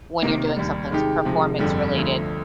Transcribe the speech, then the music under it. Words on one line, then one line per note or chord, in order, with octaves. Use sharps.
when you're doing somethings performance-related.
C3 D#3 A#3 D#4 A#4
D#2 D#3 G3
C3 D#3 G#3 D#4 G4
C3 F3 G#3
G1 F2 D3 G3
D2 D3 F3